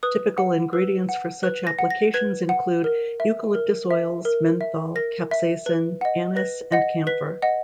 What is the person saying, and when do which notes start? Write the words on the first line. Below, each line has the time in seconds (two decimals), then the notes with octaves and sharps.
Typical ingredients for such applications include eucalyptus oils, menthol, capsaicin, anise and camphor.
0.03 B4 D#6
0.38 F#5
0.73 B4 E6
1.09 F#5
1.43 B4 F#6
1.67 A#6
1.79 F#5
1.91 A#6
2.14 B4 G#6
2.49 F#5
2.84 A#4
3.20 E5
3.55 A#4
3.91 E5
4.25 A#4
4.61 E5
4.95 A#4 A#6
5.31 E5
5.66 B4
6.01 D#5 F#5
6.36 B4 A#6
6.72 D#5 F#5 A#6
7.07 B4 B6
7.42 D#5 F#5